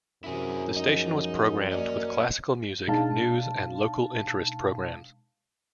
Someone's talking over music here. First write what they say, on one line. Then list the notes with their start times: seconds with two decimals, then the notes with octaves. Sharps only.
The station was programmed with classical music, news and local interest programs.
0.24 F#2 C3 F#3 E4 G#4
0.77 F3 G#3 D#4 D#5
1.71 A#3 C#4 D5 D#5
2.87 B2 G#3 D4 D#4 F5 A5